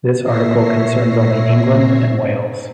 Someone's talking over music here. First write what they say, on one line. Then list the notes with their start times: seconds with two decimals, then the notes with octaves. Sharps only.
This article concerns only England and Wales.
0.23 A#2 C#5 E5 A#6 C7